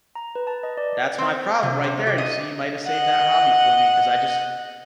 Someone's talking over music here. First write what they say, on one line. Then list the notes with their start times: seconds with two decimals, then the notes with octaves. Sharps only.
That's my problem right there. You see, you might have saved that hobby for me 'cause I just
0.15 A#5
0.35 B4
0.47 A5
0.63 D#5
0.77 D5
1.18 C4
1.63 C3
1.84 C3
2.07 G4
2.18 D#5
2.87 D#5 F#5